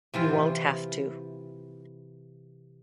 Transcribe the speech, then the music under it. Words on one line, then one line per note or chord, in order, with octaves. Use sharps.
You won't have to.
C3 E3 F4